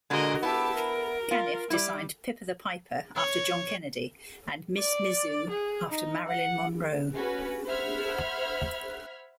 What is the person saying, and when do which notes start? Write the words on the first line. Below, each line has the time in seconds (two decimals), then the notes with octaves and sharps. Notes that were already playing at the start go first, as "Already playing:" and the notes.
Caniff designed Pipper the Piper after John Kennedy and Miss Mizzou after Marilyn Monroe.
0.10 A#2 D3 G#3 F#4 A#4 D#5
0.43 B3 E4 G4 E5 A5
0.75 A#4
1.31 F4
1.70 G3 E4 D5
3.17 C#5
4.78 D5
5.50 G#4
5.90 D#4
6.27 F#5
7.13 C#4 F#4 B4
7.66 C5 E5 F#5 B5 F6 G#6